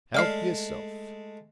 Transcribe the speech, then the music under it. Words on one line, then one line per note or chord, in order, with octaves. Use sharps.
"Help yourself."
G#3 A3 D5 F6 C7